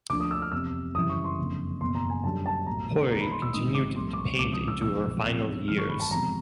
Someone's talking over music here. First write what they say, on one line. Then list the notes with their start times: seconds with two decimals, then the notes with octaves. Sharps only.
Hori continued to paint into her final years.
0.09 D2 D3 F3 A#3 D4 D6
0.20 D#6
0.31 E6
0.42 F6
0.52 F1 E2 C3 E6
0.95 F#2 C#3 E3 G3 D#6
1.10 C#6
1.24 C6
1.38 F#1 F2 D3
1.81 F#1 E2 B2 C6
1.95 A#5
2.10 G#5
2.24 F#2 D3 G3 A5
2.46 A5
2.66 B1 A2 F#3 A#5
3.10 E1 D#2 D#3 A#5
3.21 B5
3.31 C6
3.42 E6
3.52 A1 G#2 D#3 G3 C4 D#6
3.75 D6
3.96 C2 A#2 F3 A3 C6
4.13 D6
4.18 C#6
4.39 C#2 C3 F3 D6
4.53 D#6
4.68 E6
4.82 B1 A#2 F3 A#3 E6
5.25 E1 E2 C3 F3
5.68 G#1 G2 E3 A3 F6
5.78 C#6
5.89 B5
6.00 A5
6.11 E2 C3 F3 G#3 A#5